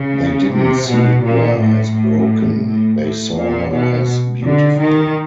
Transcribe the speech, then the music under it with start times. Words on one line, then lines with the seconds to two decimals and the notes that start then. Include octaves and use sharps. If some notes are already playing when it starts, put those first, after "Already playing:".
They didn't see her as broken, they saw her as beautiful.
Already playing: C#3
0.53 C3
0.88 B2
1.23 A#2
1.59 A2
1.94 A2
2.65 A2
3.01 A2
3.36 A#2
3.71 B2
4.43 D3
4.78 D#3